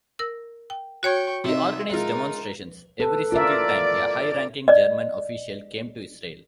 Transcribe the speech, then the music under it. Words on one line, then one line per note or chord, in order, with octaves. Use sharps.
He organized demonstrations every single time a high-ranking German official came to Israel.
A#4 E6
G5
F#4 C#5 G5 C#6 G#6
C3 D#4 E5 C6
G#3 D#4 F4 A#4
A4 B4
F4 A#4 D5 E5
D5 D#5